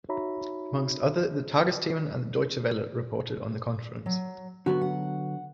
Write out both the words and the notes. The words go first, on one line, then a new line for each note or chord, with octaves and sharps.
Amongst other the Tagesthemen and the Deutsche Welle reported on the conference.
D#4 F#4 C#5 E5 A#5 B5
F#3
D3 F#3 B3 F#4
F#5